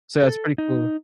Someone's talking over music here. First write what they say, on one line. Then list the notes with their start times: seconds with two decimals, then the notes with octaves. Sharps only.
So that's pretty cool.
0.23 A4
0.58 D#4